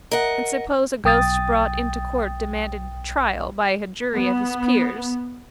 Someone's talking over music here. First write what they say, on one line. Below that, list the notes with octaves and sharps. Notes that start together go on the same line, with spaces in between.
And suppose a ghost brought into court demanded trial by a jury of his peers?
A#4 D#5 F#5
B1 G5 D#6 A6
B3